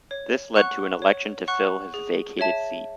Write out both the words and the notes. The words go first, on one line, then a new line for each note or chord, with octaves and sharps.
This led to an election to fill his vacated seat.
C#5
F#5 C#6 F#6
C#5
F#5 C#6 F#6
G#4
C#5 E5 A5